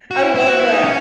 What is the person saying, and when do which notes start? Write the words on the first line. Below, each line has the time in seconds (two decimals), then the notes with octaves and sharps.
I love that.
0.11 F#4
0.23 E4
0.35 E4
0.47 F#4
0.59 E4
0.72 D#4
0.84 C#4